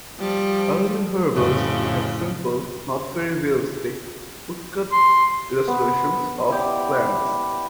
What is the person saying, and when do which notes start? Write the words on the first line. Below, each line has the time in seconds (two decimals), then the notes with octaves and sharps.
Early herbals had simple, not very realistic, woodcut illustrations of plants.
0.19 F3 G3
1.35 F2 A2 C#3
4.92 C6
5.68 B3
6.50 E4 G4 D5